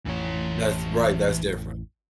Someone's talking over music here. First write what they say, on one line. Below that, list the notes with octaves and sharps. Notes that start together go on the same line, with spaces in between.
That's right, that's different.
A1 F2 E3 C#5